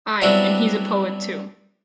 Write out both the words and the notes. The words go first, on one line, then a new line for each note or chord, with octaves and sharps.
Ay, and he's a poet too.
F#3 G3 B3 C4 D4 E4